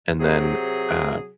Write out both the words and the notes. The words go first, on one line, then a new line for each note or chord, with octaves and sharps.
and then uh,
C3 F#3 G#4